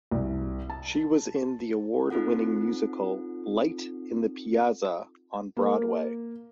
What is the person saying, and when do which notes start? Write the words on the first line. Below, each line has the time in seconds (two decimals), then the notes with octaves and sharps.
She was in the award-winning musical "Light in the Piazza" on Broadway.
0.11 C2
0.70 A5
2.10 C4 D#4 F4 A4 F#5
5.57 A#3